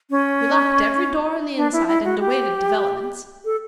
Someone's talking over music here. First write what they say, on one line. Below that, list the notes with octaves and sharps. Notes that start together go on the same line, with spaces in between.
We locked every door on the inside and awaited developments.
C#4
D4
E4
E4
F#4
G4
A4